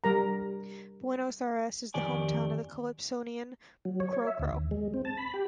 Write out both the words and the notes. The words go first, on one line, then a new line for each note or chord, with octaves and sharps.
Buenos Ayres is the hometown of the calypsonian Cro Cro.
G3 A#4 A#5
F2 D#3 G4 D5 G#5
F#3
C#5
C#5
E5
D2
D#2
G#3
C4
A5
B5
G4